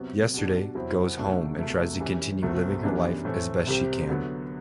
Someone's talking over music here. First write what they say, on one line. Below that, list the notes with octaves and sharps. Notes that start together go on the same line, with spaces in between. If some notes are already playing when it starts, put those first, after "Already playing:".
Yesterday goes home and tries to continue living her life as best she can.
Already playing: C3 F#3 B3
B2 G3 D4
E2 C3 F#3 C4 E4
C2 B2 A3 D4 F#4
C2 B2 A3
F#2 E3 G3
C2 B2 A3 C4
F#2 E3 G3 B3 D4
A2 E3 A3 C4
C2 C3 G3 C4 G4
D3 F#3 B3